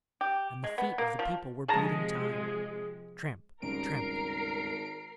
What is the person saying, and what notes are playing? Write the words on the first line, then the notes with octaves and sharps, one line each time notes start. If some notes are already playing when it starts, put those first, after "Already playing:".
And the feet of the people were beating time--tramp, tramp.
G4
G#3
B3
A#3
F3
C3 F3 G#3 G#4 A5 A#5
G#1 C#2 G2 C#4 A#4 A#5 C7 D7